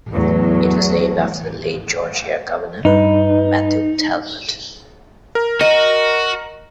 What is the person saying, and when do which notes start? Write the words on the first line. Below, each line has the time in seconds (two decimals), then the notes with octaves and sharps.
It was named after the late Georgia governor Matthew Talbot.
0.13 E2 A2 F#3
2.85 G2 D#4 B4
5.35 A#4
5.61 F#4 D#5